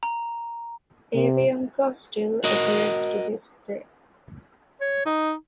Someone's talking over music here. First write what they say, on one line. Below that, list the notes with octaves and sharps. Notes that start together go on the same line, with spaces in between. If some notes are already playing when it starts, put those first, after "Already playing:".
Avianca still operates to this day.
A#5
C3
F#4 A#4 D#5
C#5
D#4